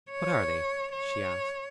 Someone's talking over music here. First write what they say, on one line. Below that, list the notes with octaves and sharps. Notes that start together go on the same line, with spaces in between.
"What are they?" she asked.
C#5
C#5